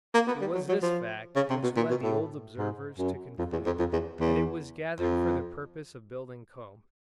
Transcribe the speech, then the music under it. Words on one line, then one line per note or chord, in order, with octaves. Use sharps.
It was this fact which led the old observers to conclude that it was gathered for the purpose of building comb.
A#3
B3
G3
F#3
F#3
F3
C#3
C3
B2
A#2
B2
A2
G#2
F#2
F2
E2
F2
F2
E2
E2
F2